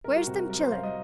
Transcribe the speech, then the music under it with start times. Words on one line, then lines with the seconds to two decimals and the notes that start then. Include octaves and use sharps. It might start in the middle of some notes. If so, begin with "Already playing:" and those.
Where's them chillen?
0.04 C2 A#4
0.16 F#4
0.27 C3
0.39 A#4
0.50 F#3 A#4
0.60 C5
0.72 C2 F5
0.83 D#5